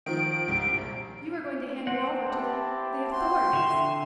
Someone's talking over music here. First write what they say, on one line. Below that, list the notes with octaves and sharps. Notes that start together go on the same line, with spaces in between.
"You are going to hand me over to the--the authorities."
D#3 F3 D7
C2 G2
A#1
C4 C5 F#5
E4 G4 A5
F#4 G5 C6
D3 E5